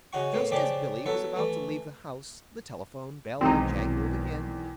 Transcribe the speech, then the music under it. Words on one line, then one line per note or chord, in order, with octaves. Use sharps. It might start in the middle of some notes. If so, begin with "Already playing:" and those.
Just as Billy was about to leave the house the telephone bell jangled again.
C#3 D#4 F#4 F#5 C#6
A2 A#3 B3
C#3 F3 D4 G4 B5 D6
F#3 B3 E4 A4 B4
E3 A3
B1 E2 D#3 G#3 C4 D#4